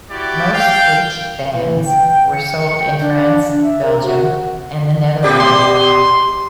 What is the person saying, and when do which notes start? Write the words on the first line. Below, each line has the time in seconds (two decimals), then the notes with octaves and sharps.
Most H Vans were sold in France, Belgium and the Netherlands.
0.11 E4 F#4 G4 D5
0.52 F5 G5
1.51 E3
1.86 G5
2.33 C#7
2.81 G5
3.02 D4
3.62 E5
3.83 A#4
4.04 F#4
5.23 B2 G4 D5
5.40 C6